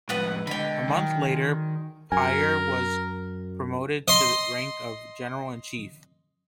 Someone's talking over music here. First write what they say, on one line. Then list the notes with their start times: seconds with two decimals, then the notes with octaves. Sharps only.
A month later Piar was promoted to the rank of General-in-Chief.
0.09 F2 A2 G#3 B3 B4 F#5 D#6
0.47 B2 D3 G#3 D#5 G5 B5
0.89 D3 D#3 F#3 D#4
1.29 G#4 G#5 C6
2.12 F#2 A#4 G#5
4.08 D#5 C6